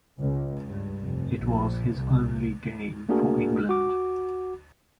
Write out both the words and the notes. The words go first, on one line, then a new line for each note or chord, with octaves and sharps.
It was his only game for England.
C#2
G2
F1
A#1
C2
A3 A#3 D4 F#4 G#4 A#4
F#4 D6